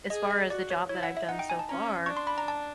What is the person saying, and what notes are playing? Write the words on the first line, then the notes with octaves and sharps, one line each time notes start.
as far as the job that I've done so far,
G#4 D#5
D#5
F#4 D5
C#5
E4 C#5
F#5
E5
D#4 F#5
G5
G#5
A5
C#4 A#5
D4 C#6
C6
B5
A#5
A5